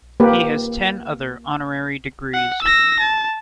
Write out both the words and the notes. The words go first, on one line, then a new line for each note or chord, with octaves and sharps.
He has ten other honorary degrees.
A#3 G4 B4
F#5
E6 A#6
A5